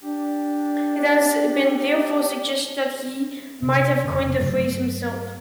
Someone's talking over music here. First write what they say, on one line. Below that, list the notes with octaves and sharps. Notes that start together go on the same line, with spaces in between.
It has been therefore suggested that he might have coined the phrase himself.
D4 G4
C3
F1 C#3
G2 F#3 A3 C4